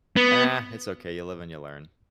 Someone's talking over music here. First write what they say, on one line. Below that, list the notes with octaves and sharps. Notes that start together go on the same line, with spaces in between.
Ah, it's okay, you live and you learn.
B3